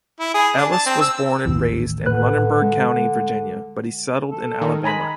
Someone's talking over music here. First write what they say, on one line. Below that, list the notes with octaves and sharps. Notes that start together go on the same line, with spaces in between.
Ellis was born and raised in Lunenburg County, Virginia, but he settled in Alabama.
E4
G#4
D4
A5
C4
E6
A1 D#2 E3
A2 D3 B4 F#6
G#3
A4
D#3
G#3 G#5 A#5 B5